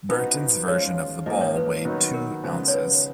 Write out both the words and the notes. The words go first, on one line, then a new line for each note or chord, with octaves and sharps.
Burton's version of the ball weighed two ounces.
F3 B3 D#4 F#4 B4
F3 G#3 C#4 F4 C#5
G#2 F3 A#3 D#5
C#5
B4
D#3 F#3 B3 D#4
A#4
C#3 F3 G#3 B3
C#5
B4